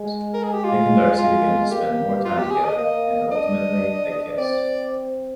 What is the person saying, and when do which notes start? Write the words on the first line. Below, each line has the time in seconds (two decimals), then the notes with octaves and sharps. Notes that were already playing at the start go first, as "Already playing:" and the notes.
Nick and Darcy begin to spend more time together, and ultimately they kiss.
Already playing: G#3
0.34 A#4
0.44 G#4
0.54 G4
0.64 F4
1.18 F4
1.71 A#3 G4
2.25 F4
2.38 G4
2.51 G#4
2.65 D#5
2.78 A#3 D#5
3.31 D4 D#5
4.38 C4 D5